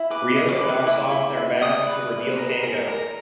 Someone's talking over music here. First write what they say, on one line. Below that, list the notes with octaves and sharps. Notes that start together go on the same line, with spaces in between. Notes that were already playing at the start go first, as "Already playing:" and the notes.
Ryota knocks off their mask to reveal Kengo.
Already playing: E4
B4 D6
D#5
D6
B4
E4 D6
E4
E4
D5 D#6
B4
B4
A#4
A#4
A#4